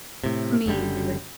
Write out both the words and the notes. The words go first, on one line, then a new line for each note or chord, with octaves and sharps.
I mean, he was
A2 C3
F#1 F#2 D3 G3